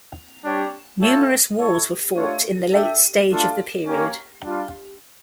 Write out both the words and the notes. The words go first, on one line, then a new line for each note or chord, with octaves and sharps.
Numerous wars were fought in the late stage of the period.
G3 D4 G4 C#5
F4 A4 C#5 E5 G5
E4 A4 C#5
A3 D4 F4 C#5
D4 A4 E5 G5
A3 D4 F4 A4
A#3 C#4 G4 A#4 C#5
G3 D4 F4